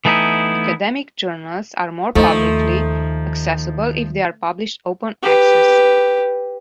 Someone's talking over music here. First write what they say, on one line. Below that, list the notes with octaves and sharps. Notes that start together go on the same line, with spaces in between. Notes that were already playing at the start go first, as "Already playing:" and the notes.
Academic journals are more publicly accessible if they are published open access.
E3 A3 B3 D#4 E4
D#2 F3 A3 D#4
G4 B4